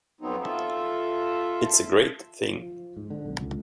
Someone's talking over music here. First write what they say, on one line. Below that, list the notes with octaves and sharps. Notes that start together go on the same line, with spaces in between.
It's a great thing.
F2 F#3 B3 C4 D#4
F4 A4 E5
F3
G#2
D3
B1
C#2